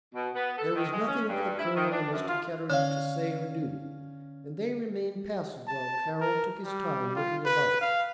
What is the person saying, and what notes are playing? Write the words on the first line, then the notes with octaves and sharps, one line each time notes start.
There was nothing for the colonel or Mr. Kettridge to say or do, and they remained passive while Carroll took his time looking about.
B2
B3
A4
D#3
G#3
C#4
G2
E4
D#3
D4
F#2
F4
D3 C#4 F5
A5
A#4
G3
F4
B4
F5